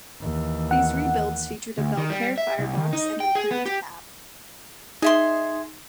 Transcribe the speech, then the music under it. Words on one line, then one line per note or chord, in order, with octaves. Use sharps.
These rebuilds featured a Belpaire firebox and improved cab.
D#2 E3
F#5
D2
D#3
G3
E5
C2
D#3
D#4
G5
G#4
B3
G4
D#4 G#4 E5 C6